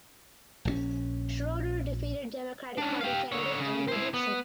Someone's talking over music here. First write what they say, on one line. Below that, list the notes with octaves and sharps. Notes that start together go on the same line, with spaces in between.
Schroeder defeated Democratic Party candidate Andrew Dixon.
A#1 F3 C#4
C#4 D4
G4 F5
D3 C#5
C#3
E4 C5
B3